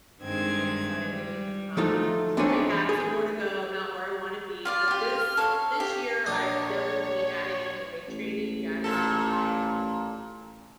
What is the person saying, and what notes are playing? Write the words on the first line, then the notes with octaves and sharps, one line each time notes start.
or pant sizes. Um, I have some more to go. I'm not where I wanna be. But this this year, I'm definitely adding in the weight training. That is my,
G2 D#3 G#3 C4 G#6
G3
F3 F#3 A3 D#4 F4
E2 C4 D4 D#4 C#5 G#5
G#4
F4 D5 D6 F6
F4 G4
A4 C#5 F5
G4
A#1 D4 D#4 C#5
A1
A#2 A4